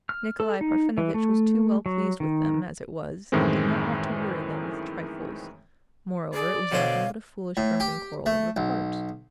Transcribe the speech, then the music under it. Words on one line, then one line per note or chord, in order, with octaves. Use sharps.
Nikolay Parfenovitch was too well pleased with them, as it was, and did not want to worry them with trifles, moreover, it was nothing but a foolish, drunken quarrel over cards.
F6
A4
D#4
E3
A3
F#3
D#3
F#2 A2 D#3 E3 G#3 C4
G#4 D5
B2 D3 C5 C#5 F5
A2
G4
A3
B1